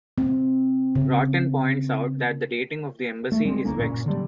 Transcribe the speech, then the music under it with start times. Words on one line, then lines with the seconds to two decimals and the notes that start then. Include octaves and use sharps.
Broughton points out that the dating of the embassy is vexed.
0.18 C4
0.96 C#3
3.32 A3
3.45 G3 G#3 C4
3.65 F1 D2 A#3 C#4
3.78 F#1 A#2 C#4
4.06 D3 F#3 G3 A#3